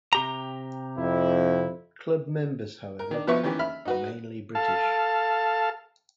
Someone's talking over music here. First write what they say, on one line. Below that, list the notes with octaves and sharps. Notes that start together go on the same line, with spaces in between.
Club members however, were mainly British.
C3 G4 A#5
F2 E4
A#4
D#3 D4
B2 F3 B3 B4 E5 C#6
D#3 E3 C#4 G4
E5 B5 F6
D#4 F#4 B4
A4 F5 A5